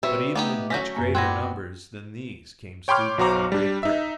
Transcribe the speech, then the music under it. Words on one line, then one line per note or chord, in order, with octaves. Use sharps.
But even in much greater numbers than these came students from Great Britain.
G3 C4 F#4 B4 C#5 E5
A3 B3 D#4 G4 D6
F#3 A3 C#4 G6 A#6 B6
F#2 A#3 G#5
B3 C4 D4 G4 F#6 G#6 A#6
C#5 G5 B5 C6 D6 F6
B1 F#3 F#4 C5 A#5 D6
G3 D4
D#4 E5